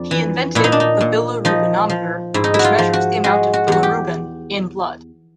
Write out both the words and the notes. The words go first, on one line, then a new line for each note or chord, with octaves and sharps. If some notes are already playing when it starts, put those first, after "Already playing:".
He invented the bilirubinometer which measures the amount of bilirubin in blood.
Already playing: F2 D4
E3
A#2 E4
D#4
D4
D#4
A#2
F3 D#4
F3
G#2 E4
D#4
E4
F#4
F4
F3
F#4
G#3 F#4
F#4
E2 F#4
G4